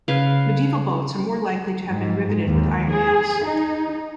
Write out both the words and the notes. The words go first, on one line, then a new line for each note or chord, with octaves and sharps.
Medieval boats are more likely to have been riveted with iron nails.
C#3 B4 F5
G#2
D#2
G#4
D#4